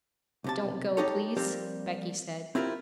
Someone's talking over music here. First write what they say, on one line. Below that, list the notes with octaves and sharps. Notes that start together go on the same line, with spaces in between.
'Don't go, please,' Becky said.
B1 C3 A5
D4 D#4 G4 A4 C#5
F3 G3 A#3 C4 G4
C4 E4 F4 G4 A#4